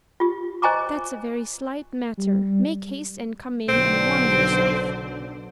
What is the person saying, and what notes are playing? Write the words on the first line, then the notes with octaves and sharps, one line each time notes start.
"That's a very slight matter: make haste and come in and warm yourself."
F4 G4
C5 D#5 G#5 A#5 C#6 D6
G3
B1 D3 C4